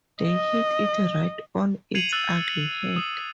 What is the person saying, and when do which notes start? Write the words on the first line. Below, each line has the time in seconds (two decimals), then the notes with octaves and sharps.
They hit it right on its ugly head.
0.23 D#5
1.95 G#6 C7 C#7 D#7 F7 F#7
2.12 E6 F#6 A6 F#7
2.96 D#6